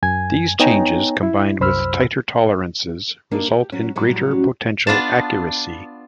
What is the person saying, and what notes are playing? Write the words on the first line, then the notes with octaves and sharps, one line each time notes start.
These changes combined with tighter tolerances result in greater potential accuracy.
F#2 G#5 G#6
B3 D#4 C#5 G5 G#5 A#5
E4
C2 F#2 C5 B5 E6 F6
A#3 D4 D#4
G4
F#3 C#4
A2 F#3 G3
C#4 F#4
B3 D4 F4 A5